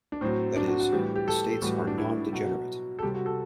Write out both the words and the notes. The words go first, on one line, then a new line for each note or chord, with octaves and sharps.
That is, the states are nondegenerate.
D4
A2 F#3 C4
D4
F#4
F#4
A2 E3 G3 G4
G4
A4
A2 E3 G3 F#4
D4
E4
B2 F#3 F#4
A4
C3 G3 G4
F#4
A4